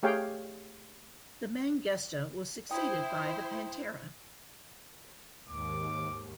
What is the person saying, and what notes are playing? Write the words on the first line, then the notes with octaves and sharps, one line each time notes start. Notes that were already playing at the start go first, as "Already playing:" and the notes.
The Mangusta was succeeded by the Pantera.
A3 G4 G#4 C#5 F5 G5
E4 C5 G5 D#6
D#2 G#2 D6